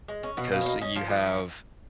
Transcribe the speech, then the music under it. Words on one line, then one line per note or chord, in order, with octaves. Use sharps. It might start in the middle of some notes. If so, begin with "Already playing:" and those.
because you have
G#3
C#4
B2 F#5
B2 F5
C#5
A#3 D#5
C#4 D#5
F3 F4
F3